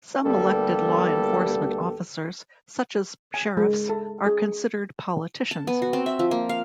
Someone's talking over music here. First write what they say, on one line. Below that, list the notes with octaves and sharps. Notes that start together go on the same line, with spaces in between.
Some elected law enforcement officers, such as sheriffs, are considered politicians.
D2 G3 A#3 B3 G4 A4
G#5
G#3
A4
G#4
A5
B3
F#4
C4
E5
F3
A#3
F5